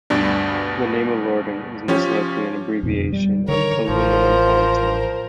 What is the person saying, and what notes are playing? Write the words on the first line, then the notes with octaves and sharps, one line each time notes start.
The name Alorton is most likely an abbreviation of "aluminum ore town".
D2 G2 B2 D4
F3 C#4 G4
F2 B2 D3
G3
D3 D#3 A#4 C#5
A1 F3 A#4 C5